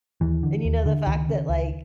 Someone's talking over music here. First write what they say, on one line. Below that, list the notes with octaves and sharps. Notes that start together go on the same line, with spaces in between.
And you know the fact that, like,
D#2 E3
D3
D#2
D3
C#2 D#3
C#3
C#2